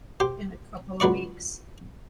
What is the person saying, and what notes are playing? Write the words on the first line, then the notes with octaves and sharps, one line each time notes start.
in a couple of weeks.
G4 C5
C#2 F#3 B4 D5 C#6